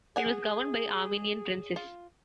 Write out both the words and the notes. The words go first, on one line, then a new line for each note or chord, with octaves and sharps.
It was governed by Armenian princes.
G#4 F#5 G#5
F4